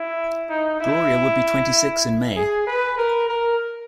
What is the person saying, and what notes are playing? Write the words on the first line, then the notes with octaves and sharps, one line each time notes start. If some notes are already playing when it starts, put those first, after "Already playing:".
Gloria would be twenty-six in May.
Already playing: E4
D#4
E4
G#4
B4
A#4
A#4